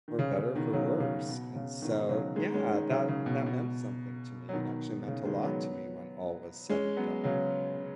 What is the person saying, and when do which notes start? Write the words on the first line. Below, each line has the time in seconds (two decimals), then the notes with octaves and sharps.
For better or for worse, and so yeah, that that meant something to me, and actually meant a lot to me when all was said and done, you know?
0.08 D#3
0.19 C#3
0.38 C#3
0.55 B2 D#3
0.73 C#3 F#3
1.00 C#3
1.28 B2
1.55 C#3
1.82 B2 D#3
2.09 C#3 F#3
2.36 D#3 G#3
2.54 G#3 C#4
2.72 D#3 G#3
2.90 C#3 F#3
3.09 C#3
3.26 B2
3.46 B2
4.49 F#3
4.53 B2 D#3
5.08 C#3
5.25 D#3 G#3
5.44 F#3 B3
6.70 G#3 C#4
6.97 F#3 B3
7.24 C#3 F#3